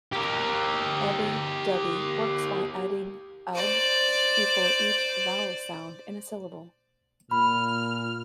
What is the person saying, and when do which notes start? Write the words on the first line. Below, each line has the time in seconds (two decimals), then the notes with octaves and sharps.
Ubbi dubbi works by adding "-ub-" before each vowel sound in a syllable.
0.13 G4 A#4
3.55 C5 D5
7.31 A#2 B5 F6